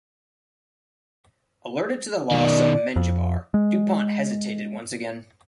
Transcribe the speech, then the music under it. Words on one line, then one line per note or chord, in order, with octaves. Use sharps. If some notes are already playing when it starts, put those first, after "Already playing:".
Alerted to the loss of Mengibar, Dupont hesitated once again.
B2 D#3 D5
F2
G#3